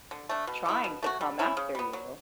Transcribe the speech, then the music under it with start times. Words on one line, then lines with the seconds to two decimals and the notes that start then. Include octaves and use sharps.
trying to come after you.
0.11 D3
0.29 A3 D4
0.47 B2
0.66 A3 E4
0.84 B2
1.03 A3 D4 F#4
1.21 G3
1.39 C#4 E4
1.57 C#3
1.75 G3 B3
1.93 F#3